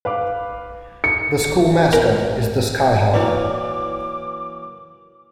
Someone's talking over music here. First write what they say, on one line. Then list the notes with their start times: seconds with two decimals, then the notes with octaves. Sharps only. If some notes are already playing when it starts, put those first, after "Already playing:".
The school mascot is the Skyhawk.
0.05 B4 F5 D6
1.04 C#7
1.93 A#4
3.14 E3 F#3 A#3 E4 B4 D5 D6